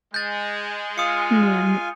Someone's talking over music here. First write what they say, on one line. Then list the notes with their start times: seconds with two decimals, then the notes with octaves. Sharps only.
Yeah, me
0.14 G#3 G6 A6
0.98 F4 F5 G#5 D#6 C#7